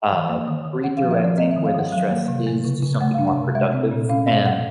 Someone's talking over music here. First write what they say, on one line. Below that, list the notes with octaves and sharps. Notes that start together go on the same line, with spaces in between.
uh, redirecting where the stress is to something more productive. And,
E3
A#3
D#3
D#3
C#4 F#5
F3 F5
E5
F3 D5
C4 D#5
E5
D#3
F5
D#3 F#5
F#3 F5
A#3
C3
A#3
C#3
C#3
A3 F#5
D4 F5
F#5
C3
G#3 E5
C4
A#2
C#4 F5
B2 F5
B2 F#5